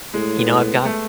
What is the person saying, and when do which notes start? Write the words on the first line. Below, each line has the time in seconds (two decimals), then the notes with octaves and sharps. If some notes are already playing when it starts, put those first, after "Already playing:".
you know, I've got
0.14 A2 G#3
0.38 B3
0.61 B3
0.85 A3